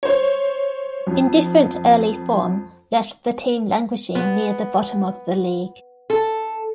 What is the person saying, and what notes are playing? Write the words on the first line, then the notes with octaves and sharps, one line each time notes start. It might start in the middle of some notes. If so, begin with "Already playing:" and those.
Indifferent early form left the team languishing near the bottom of the league.
C5 C#5
F2
B3
A4